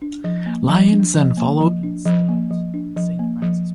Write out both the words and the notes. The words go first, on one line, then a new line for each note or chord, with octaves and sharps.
Lyons then followed and settled in Saint Francisville.
D4
F3
A#3
F3
D4
F3
A#3
F3
D4
F3
A#3
F3
D4
F3
A#3
F3